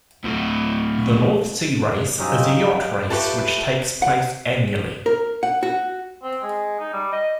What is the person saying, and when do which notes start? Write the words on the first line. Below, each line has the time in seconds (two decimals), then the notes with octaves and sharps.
The North Sea Race, is a yacht race which takes place annually.
0.24 D2 A2
2.19 G2 F#3 C4 C#4 D#4 G4 D#5 F5
2.68 G5
3.10 F4 G4 A4 B4 C#5 E5
4.02 F#5
5.06 A#4
5.43 F#5
5.63 F#4
6.23 C4
6.43 G#3
6.79 D#4
6.93 G3
7.13 D#5